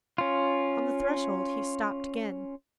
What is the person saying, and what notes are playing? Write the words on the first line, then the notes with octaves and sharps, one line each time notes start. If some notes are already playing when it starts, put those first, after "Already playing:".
On the threshold he stopped again.
C#4 F4